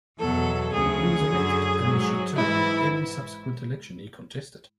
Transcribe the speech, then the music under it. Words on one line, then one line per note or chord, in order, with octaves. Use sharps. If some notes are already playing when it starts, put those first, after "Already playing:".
He was elected and was returned at every subsequent election he contested.
E2 B2 F#3 A4
D2 C#3 F#3 G#4
F#2 D3 F#3
G#2 F#3
G#2 E3 E4